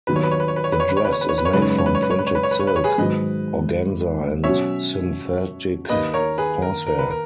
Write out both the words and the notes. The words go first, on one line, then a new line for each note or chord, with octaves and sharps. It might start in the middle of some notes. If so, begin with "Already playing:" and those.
The dress is made from printed silk organza and synthetic horsehair.
D#2 D#3 F#3 B3 B4
C#5
B4
C#5
B4
C#5
B4
C#5
B4
C#5
B4
C#5
B4
C#5
B4
C#5
B4
C#5
F#2 C#3 G#3 D#4 B4
C#5
B4
C#5
B4
C#5
B4
C#5
B4
C#5
B4
C#5
B4
C#5
B4
C#5
G#4 B4
G#2 D#3 F#3 B4 D#5
B2 F#3 C#4 F#4 C#5 E5
D#2 D#3 A#3 B4 D#5
A#4 C#5
G#4 B4
A#4
A#4
B4
A#4